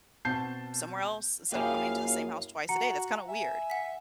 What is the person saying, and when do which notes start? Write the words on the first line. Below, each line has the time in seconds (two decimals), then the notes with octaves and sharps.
somewhere else instead of coming to the same house twice a day, that's kinda weird."
0.25 B2 C4 A5 G6 C7
1.52 F#2 A#2 E4 G4 G#4 F5
2.69 F#4 F#5 A#5 C#7
3.28 E5 G#5
3.70 F#5 B6